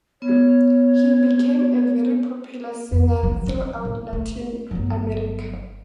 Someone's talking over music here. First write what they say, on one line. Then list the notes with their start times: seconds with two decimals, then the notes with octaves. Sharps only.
He became a very popular singer throughout Latin America.
0.22 B3 C#5
2.92 F2
3.23 E3 F#3
3.47 F#3
3.85 A2
4.13 A3
4.71 G1 F#3